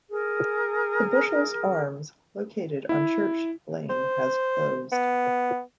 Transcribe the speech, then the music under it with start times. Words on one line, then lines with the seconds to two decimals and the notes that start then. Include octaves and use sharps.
The "Bushells Arms" located on Church Lane has closed.
0.11 G#4 A#4
2.89 E4
3.90 C5
4.92 B3